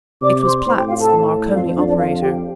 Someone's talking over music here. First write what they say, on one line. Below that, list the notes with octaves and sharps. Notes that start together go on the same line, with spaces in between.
It was Platts, the Marconi operator.
C3 D5 D6
D6
C5 C6
A2 C5 C6
G4 G5
F4 F5
A4 A5
D5
F2 F4 F5
C5
D4 D5
D4 D5
F4 F5
G4 G5